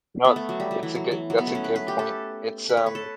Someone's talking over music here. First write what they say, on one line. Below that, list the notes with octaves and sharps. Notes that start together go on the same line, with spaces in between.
No. It's a good that's a good point. It's, um,
B3
A3
F#3
G3
F#3
E3
F#3
E3
F#3
B3
A3
C#4
B4
B4
G4
A4
B4
C#5
B4
A4